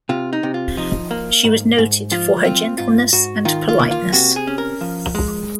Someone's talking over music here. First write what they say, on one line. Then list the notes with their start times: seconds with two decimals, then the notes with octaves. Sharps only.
She was noted for her gentleness and politeness.
0.09 C3 F4
0.33 D#4
0.43 C3
0.54 F4
0.77 F3 D#4
1.11 A#3
1.44 G#2
1.78 G#2
2.11 F3 F4
2.44 C4 F4
2.78 G#2 F4
3.13 G#2 F#4
3.45 D#3 F4
3.68 F4
3.79 A#3
3.91 F4
4.13 C3 F#4
4.36 G#4
4.47 C#4
4.58 A#4
4.81 F3
5.15 G#3